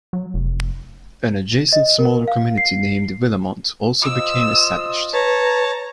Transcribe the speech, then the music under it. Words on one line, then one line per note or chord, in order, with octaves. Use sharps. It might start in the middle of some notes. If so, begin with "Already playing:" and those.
An adjacent smaller community named Villemont also became established.
F#3
F1
D#5
A#4
F5
C7
F4 C5 D#5 E6
B4 C#5 A5 A#5